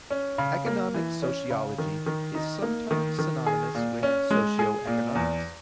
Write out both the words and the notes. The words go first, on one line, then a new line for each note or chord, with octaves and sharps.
Economic sociology is sometimes synonymous with socioeconomics.
C#4
C#3
A#3
E3
C#4
C#3
D#3
D#3
D#4
A#3
D#3
D#3
G#4
A#2
C#4
G#3
G#4
A#2
E2